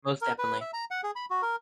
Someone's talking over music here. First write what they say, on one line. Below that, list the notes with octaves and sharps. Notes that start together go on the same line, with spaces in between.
most definitely.
A#4
B4
E5
A#5
F#5
G#4
B5
F#4
A#4